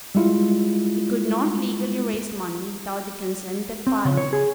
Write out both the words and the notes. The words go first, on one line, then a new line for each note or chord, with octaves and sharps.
He could not legally raise money without the consent of Parliament.
G3 G#3 E4 F4
C4
C#3
C#5
G#4